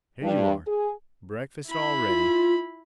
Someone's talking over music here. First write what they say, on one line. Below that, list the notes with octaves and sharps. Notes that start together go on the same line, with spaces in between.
Here you are, breakfast all ready!
G2
G#4
E4 B5
F4